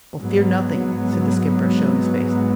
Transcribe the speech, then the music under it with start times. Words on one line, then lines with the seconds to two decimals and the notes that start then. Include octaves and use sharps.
"Oh, fear nothing," said the skipper, showing his face.
0.18 G#2 F#3 B3